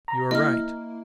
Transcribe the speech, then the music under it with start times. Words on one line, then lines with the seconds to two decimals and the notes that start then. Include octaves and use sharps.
You are right.
0.08 A#5
0.31 A#3 E4 A#4 D#5 F6